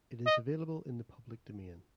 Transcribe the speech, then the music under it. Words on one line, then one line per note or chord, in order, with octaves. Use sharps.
It is available in the public domain.
D#5